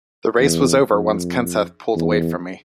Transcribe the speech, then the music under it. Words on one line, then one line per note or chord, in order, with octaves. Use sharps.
The race was over once Kenseth pulled away from me.
E2
F2
E2